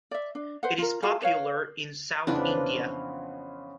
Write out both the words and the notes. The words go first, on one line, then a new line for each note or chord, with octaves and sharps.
It is popular in South India.
D5 E5
D4
B4 C5 F#5
F4 A#4
F4 F#4 G#4 F5
B4 C#5 F5
F2 C#3 E3 F3 B3 C#4 D4 B4